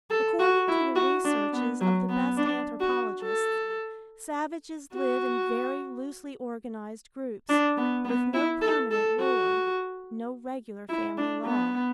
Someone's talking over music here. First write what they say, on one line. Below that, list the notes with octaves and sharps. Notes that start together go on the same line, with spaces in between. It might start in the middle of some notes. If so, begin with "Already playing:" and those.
According to the researches of the best anthropologists, savages live in very loosely organized groups, with no permanent ruler, no regular family law.
A4
F#4
E4
F#4
D4
B3
F#3
B3
D4
F#4
A4
F#4
D4
B3
B3
E4
A4
A4
F#4
E4
D4
B3